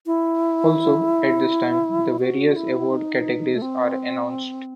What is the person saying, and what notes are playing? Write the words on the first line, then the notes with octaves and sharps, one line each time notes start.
Also at this time, the various award categories are announced.
E4
F#4
E4
D#4
A3
C4